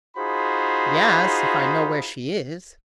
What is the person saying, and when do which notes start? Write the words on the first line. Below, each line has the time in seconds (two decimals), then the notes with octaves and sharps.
"Yes, if I know where she is!"
0.17 D#4 F4 F#4 G#4 C5 B5